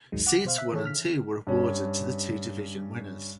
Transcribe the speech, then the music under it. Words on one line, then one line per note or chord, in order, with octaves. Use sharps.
Seeds one and two were awarded to the two division winners.
A#1 D#2 G#2 D#3 F#3 G#3
F#5 D6
B2 C5 F5
E5 F#6 B6
D#3 E3 G#4 A4 C#5
D3 F6 B6
G2 C#4